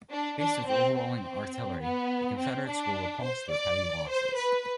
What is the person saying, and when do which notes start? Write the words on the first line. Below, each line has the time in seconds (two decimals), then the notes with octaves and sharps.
Faced with overwhelming artillery, the Confederates were repulsed with heavy losses.
0.11 D4
0.39 D4
0.67 C4
0.96 C4
1.81 B3
2.37 C4
2.67 D4
3.23 C5
3.51 D5
4.09 C5
4.37 B4